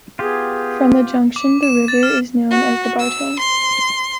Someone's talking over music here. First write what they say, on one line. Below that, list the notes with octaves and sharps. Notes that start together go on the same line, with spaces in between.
From the junction the river is known as the Bartang.
B3 F4 G4 G#4
D6
E7
A6
F6
F#4
E6
C6